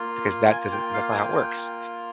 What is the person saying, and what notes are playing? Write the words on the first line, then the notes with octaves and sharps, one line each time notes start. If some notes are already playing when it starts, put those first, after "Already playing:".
because that doesn't that's not how it works.
Already playing: A#3 F4
G#5
G5
F5
G#5
G5